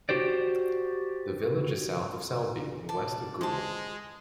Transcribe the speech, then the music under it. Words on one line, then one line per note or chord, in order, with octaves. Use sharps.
The village is south of Selby and west of Goole.
F#4 G4 C5 D5
D5 A5
G#3 C5 A5